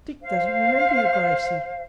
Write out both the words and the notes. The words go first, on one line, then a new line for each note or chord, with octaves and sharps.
'Dick doesn't remember you, Gracey.
C5 F5